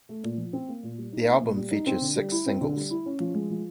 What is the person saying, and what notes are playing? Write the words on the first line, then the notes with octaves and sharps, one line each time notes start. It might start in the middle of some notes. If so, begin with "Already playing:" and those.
The album features six singles.
A3
A#2
F3
C4
A#3
A#2
G3
D#4
A#3
A#2
G3
D#4
C4
D3
G3
E4
C4
D3
G3
E4
C#4
F3
G#3
F3